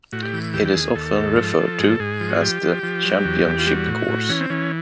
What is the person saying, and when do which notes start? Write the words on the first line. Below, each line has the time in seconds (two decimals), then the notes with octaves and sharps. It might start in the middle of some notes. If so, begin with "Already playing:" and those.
It is often referred to as The Championship Course.
0.12 A2 F#4
0.23 G4
0.33 E3
0.54 D#2 G4
0.65 G4
0.75 D#2 G#4
0.96 D#2 A4
1.16 G#2
1.37 F3
1.59 F3
1.79 G#2 G#4
1.89 A4
2.00 G#2 G#4
2.21 F3
2.30 F#4
2.42 F3 G4
2.63 F3
2.83 F3
3.04 F#3
3.25 E2
3.46 E2
3.59 F4
3.66 G3 F#4
3.87 A2
4.08 A2
4.29 E3 C#4
4.40 C4
4.50 E3 C#4